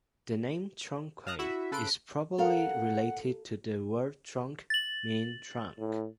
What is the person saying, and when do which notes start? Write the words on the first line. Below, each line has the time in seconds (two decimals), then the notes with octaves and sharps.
The name "Tronquay" is probably related to the word "tronc" meaning "trunk".
1.27 F5 A5 A#5 D#6 F#6
1.39 E4 F#4 E5
1.72 C#3 A4 B4 B5 C6 D7
2.38 A4 A#4 F5 F#5
4.70 A6 F#7
5.78 A2